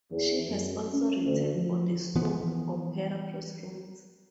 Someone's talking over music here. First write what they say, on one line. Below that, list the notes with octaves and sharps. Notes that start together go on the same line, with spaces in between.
She has also written for the soap opera "Crossroads".
E2
F#2
C#4
D2
F3
E3 F3 B3